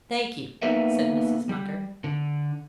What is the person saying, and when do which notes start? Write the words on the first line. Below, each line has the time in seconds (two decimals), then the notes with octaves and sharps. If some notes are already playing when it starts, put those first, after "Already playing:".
"Thank you," said Mrs. Munger.
0.62 A#3 B3 D#4 A4 B4 E5
1.49 G3
2.04 D3